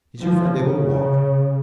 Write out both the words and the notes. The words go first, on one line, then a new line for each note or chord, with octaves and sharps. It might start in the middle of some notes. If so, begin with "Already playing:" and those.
"Is your friend able to walk?"
F3
C#3